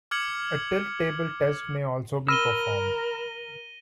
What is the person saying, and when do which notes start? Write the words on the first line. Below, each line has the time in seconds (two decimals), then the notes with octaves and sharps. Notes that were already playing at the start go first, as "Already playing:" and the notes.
A tilt table test may also be performed.
0.11 D6 F6 G#6 C#7 F#7
2.28 A#4 B5 E6 F6 A#6 D#7 G7